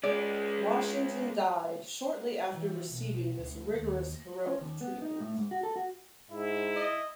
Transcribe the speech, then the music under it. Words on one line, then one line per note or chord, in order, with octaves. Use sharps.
Washington died shortly after receiving this rigorous heroic treatment.
G#3 C#4 D5
E3
B1
D2
D#2
C#4
D#2
B3
D#4
A2
G#2
F#4
A4
F#4
G#2 E4
D#5